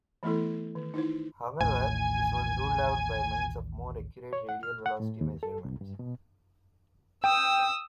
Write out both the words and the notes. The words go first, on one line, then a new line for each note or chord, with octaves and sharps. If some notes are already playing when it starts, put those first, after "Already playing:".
However, this was ruled out by means of more accurate radial velocity measurements.
E3 A3 B3 E4 A4
D#3
D#4 E4 C5
A1 D#2 A2 G#5
C#5
F#5
F6
F#5
A2
D#2
A4
C2
G2
B2
G5 D#6 E6